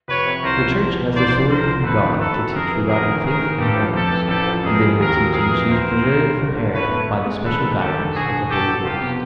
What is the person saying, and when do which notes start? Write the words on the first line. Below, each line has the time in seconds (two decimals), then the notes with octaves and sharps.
The Church has authority from God to teach regarding faith and morals, and in her teaching she is preserved from error by the special guidance of the Holy Ghost.
0.08 F1 B4 C#5
0.26 C3
0.43 C2 A#4 C5
0.61 F3
0.78 E2
0.96 E3
1.13 C2 C5 D5
1.31 F3
1.48 C#2 A#4 C5
1.66 F3
1.83 G#1 A4 B4
2.01 D#3
2.18 F#2 A4 B4
2.36 F#3
2.53 F2 G#4 A#4
2.71 E3
2.88 A1 G#4 A#4
3.06 D#3
3.23 G#1 G#4 A#4
3.41 D#3
3.58 G2 G4 A4
3.76 F3
3.93 F2 G4 A4
4.11 E3
4.28 A1 G4 A4
4.47 F3
4.63 F#2 G#4 A#4
4.81 G3
4.98 D#2 G#4 A#4
5.16 F#3
5.33 F2 G#4 A#4
5.51 E3
5.68 D2 A#4 C5
5.86 E3
6.04 B1
6.21 G3
6.39 G1
6.56 D3
6.73 A2 B4 C#5
6.91 A3
7.09 F#2
7.26 G#3
7.43 G#1 A4 B4
7.61 D#3
7.78 G#1 G4 A4
7.96 D3
8.14 E1 F#4 G#4
8.31 D3
8.49 E2 G4 A4
8.66 F#3
8.84 F1 F4 G4
9.02 B2